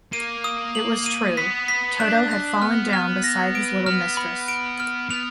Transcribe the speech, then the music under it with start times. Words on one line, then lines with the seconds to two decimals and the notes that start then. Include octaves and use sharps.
It was true; Toto had fallen down beside his little mistress.
0.13 A#3 D#7
0.44 D#6
0.75 F#7
1.06 D#7
1.37 B3 B6
1.68 B6
2.00 D4 F#6
2.31 F#6
2.62 B3 F6
2.93 F6
3.24 A#6
3.55 D7
3.86 B3 F6
4.17 B5
4.48 D7
4.80 F6
5.10 B3 F7